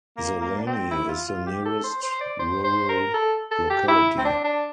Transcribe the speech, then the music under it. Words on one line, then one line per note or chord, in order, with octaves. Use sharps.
Zeleni is the nearest rural locality.
A#3
A#3
D4
C4
E4
F4
F4
G4
A4
C5
C5
D5
C5
C5
A#4
A4
A4
G4
E4
C4
D4
D4